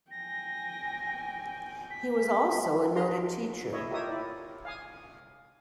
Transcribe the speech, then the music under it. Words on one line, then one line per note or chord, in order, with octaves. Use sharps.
He was also a noted teacher.
G5 G#5 A#6
B6
G#4 B4 A#5 C6
E4 C#5 D#5 E5
F4 G4 A#4 C#5 E5 D#6
E4 D5
F5 G#5 D#6